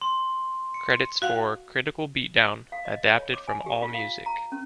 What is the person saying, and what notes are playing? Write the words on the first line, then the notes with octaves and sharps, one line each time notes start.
Credits for "Critical Beatdown" adapted from Allmusic.
C6
C#7
F#4 F5 F#5
F5
D#5
C#5
C#5
D6
G#5
G4
F4
F5
A#5
C#4